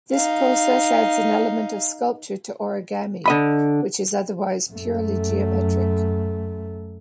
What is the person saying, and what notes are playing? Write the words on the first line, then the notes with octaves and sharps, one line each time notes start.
This process adds an element of sculpture to origami, which is otherwise purely geometric.
D#4 F5
D3 D#5 B5
F#2 A3